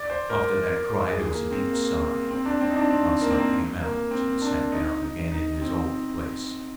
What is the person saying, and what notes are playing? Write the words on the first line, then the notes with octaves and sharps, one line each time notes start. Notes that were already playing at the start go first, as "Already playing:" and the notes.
After that cry there was a deep sigh. Arsat came out and sank down again in his old place.
Already playing: D5
C5
A#4
G#4
A#3
C4
A#3
C4
C4
D4
C4
D#4
D4
C4
A#3
C4
A#3
A#3
C4
D4
D#4
D#4
D#4
C4